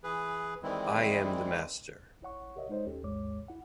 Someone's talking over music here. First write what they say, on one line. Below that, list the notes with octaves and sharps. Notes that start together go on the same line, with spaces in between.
I am the Master.
E3 G#4 B4
D#3 E3 G3 G#3 C4 E4
A1 E4 C#5 F#5 C#6
G4 A#4 C#5 D#5 E5 F#5
G#3 D#4 A4 C5 C#5 D#5
D#2 C#4 G4 A4
A1 D#2 G#2 G#3 C#5 D6
E4 F#5